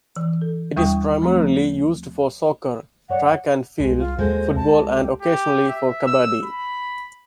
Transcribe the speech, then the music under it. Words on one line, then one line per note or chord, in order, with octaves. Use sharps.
It is primarily used for soccer, track and field, football and occasionally for kabbadi.
E3
A4
D#2 G3 E4 G5 C#6 D#6
F3 A3 C4 A#5
F#2 C#5 D5 F#5
C2 G#3
F4
D#2 G#3 F#4 A4 C5
C#2 A5
G4
G4
E5
E6
B5